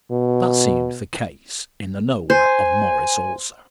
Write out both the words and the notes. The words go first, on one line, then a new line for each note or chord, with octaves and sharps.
That seems the case in the "Nowhere" of Morris also.
B2
C5 G#5